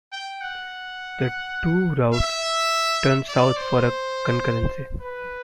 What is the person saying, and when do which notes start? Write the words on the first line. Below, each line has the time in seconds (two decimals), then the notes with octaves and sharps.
The two routes turn south for a concurrency.
0.12 G5
0.41 F#5
2.13 E5
3.28 D5
3.57 C5
5.00 B4